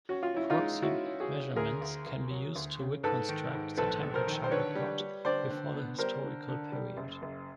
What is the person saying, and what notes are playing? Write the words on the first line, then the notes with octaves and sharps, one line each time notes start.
Proxy measurements can be used to reconstruct the temperature record before the historical period.
C#4 F#4
F4
C#4 E4
D#4 F4
G#3
C#4 E4 F#4
C#4
F#4 G#4
C#4
D2 G#4 A#4
D2
D2
F#3
D2
C#3
G#2 A4 B4
D#3
G#2
A#1 A4 B4
A#1
A#4 C5
D#3
C5
D3 B4 C#5
G3
G3
D3 C5 D5
D3
B3
G3 A#4 C5
D3
D3
G3
F#1
F#1